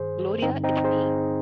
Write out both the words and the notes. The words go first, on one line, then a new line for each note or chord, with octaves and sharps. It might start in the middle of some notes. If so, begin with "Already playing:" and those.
Gloria, it's me!
Already playing: G2 D#3 G#4 C5
G2 D3 C4 D#4
C4 D#4
G#4 C5